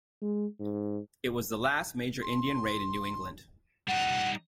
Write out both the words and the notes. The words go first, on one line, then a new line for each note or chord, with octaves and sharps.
It was the last major Indian raid in New England.
G#3
G#2
C6
G3 D#4 F#5